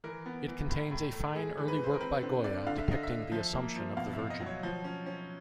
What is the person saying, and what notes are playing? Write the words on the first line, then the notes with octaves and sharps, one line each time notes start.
It contains a fine early work by Goya depicting the Assumption of the Virgin.
E3 A#4
B3
E3
A2
A2
A3
G#3 G#4
E3
B4
E3 C5
A#4
C4 B4
D3 C5
D3 D5
D3 F5
E5
D3 D#5
E5
D3
F3
A#3
F3
B2 F5
E5
B2
D#5
F#3
C#5
F3
C#4
C#4